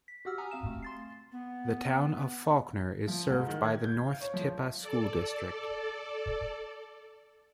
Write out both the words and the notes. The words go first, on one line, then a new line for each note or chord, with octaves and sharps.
The Town of Falkner is served by the North Tippah School District.
B6
F#4 G4 F#5 E6 F6
F#5 G#5 A#5 D#6 F6
C4 F5 E7
A3
C6 A6 C7
B3
F3
G#2
D#3
G#6
G6
F5
C#5
F3
A4 D5